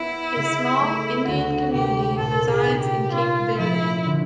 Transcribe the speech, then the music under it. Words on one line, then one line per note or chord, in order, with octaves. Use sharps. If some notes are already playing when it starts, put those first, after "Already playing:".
A small Indian community resides in Cape Verde.
Already playing: B3 E4
C#3
A3
D2 F#4
C3 G4
A#2 A4
G#4
D#4
G4
C#4 F4
F3 E4
D3